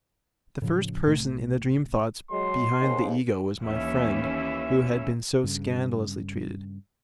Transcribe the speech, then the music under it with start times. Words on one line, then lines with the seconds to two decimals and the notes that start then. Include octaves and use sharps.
The first person in the dream-thoughts behind the ego was my friend who had been so scandalously treated.
0.62 A2 C#3 F3
1.05 B1 A2 C3 A3
2.31 F#3 G#3 C6
2.80 D#2 G#2
3.61 D#2 E3 C#4 E5
5.43 G2 C#3